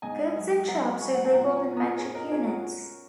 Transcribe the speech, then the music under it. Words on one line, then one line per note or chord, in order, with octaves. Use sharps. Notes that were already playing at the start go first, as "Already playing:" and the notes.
Goods in shops are labelled in metric units.
G#2 D#5 G#5
F#3
F#3 F#5 A#5
F#3 G#5 C#6
F#5
G#5
A#2 F#5 A#5
G#5 C#6
A#2
A#5 D#6
A#4
A#2 G#4 C#5
A#4 D#5
C#4 G#4 C#5
F#4 A#4
C#4